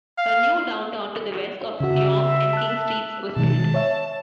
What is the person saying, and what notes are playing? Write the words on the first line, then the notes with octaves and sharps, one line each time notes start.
A new downtown to the west of Yonge and King Streets was built.
F5
C#3 F#4 E5
A5 F#6
B2 D#3 G#3 A5
C#5 E5